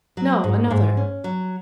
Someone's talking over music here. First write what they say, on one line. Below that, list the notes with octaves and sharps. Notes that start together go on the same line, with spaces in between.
"No, another."
F#3
G#2
G#2
C#4
F#3